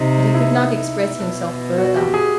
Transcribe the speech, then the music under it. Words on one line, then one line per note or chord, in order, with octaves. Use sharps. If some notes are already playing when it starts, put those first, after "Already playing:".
But he could not express himself further.
Already playing: C3 D#4
E4
B2
F#4
G4
G#4